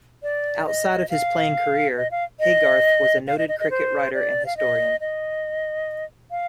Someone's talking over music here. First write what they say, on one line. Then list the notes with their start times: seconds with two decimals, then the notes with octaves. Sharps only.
Outside of his playing career, Haygarth was a noted cricket writer and historian.
0.23 D5
0.67 D#5
1.10 F5
1.97 D#5
2.11 F5
2.40 D#5
3.27 F5
3.38 D#5
3.49 D#5
3.60 D#5
3.70 C5
4.14 D5
4.46 F5
4.57 D#5
5.01 D#5
6.31 F5